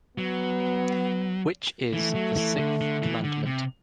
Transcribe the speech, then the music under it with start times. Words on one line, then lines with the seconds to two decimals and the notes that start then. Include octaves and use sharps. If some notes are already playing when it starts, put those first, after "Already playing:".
Which is the sixth commandment?
0.17 F#3 B3
1.93 E3 A3
2.15 F#3
2.37 E3
2.59 D3
2.81 D3
3.03 E3
3.24 D3
3.47 C3